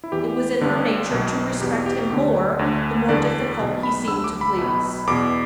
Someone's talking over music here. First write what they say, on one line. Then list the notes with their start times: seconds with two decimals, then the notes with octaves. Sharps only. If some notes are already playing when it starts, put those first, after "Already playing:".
It was in her nature to respect him more, the more difficult he seemed to please.
0.04 E4
0.12 E2 E3 G4
0.61 G1 G2 D3
1.11 B1 B2
1.60 E2 B2 G4
1.86 G4
2.10 D2 D3
2.59 D2 D3
3.09 E2 D3 D5
3.58 B1 B2
3.83 B5
4.08 D2 D3 E6
4.24 D6
4.41 B5
4.58 B1 B2
5.07 E2 B2 D6